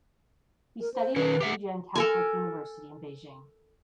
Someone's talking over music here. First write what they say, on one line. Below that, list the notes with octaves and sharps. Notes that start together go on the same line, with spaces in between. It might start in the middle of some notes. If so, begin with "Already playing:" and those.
He studied at Fu Jen Catholic University in Beijing.
A#4
C5
D#3 C#4 B4
G4 E5 F#5
A4 A#4 G#5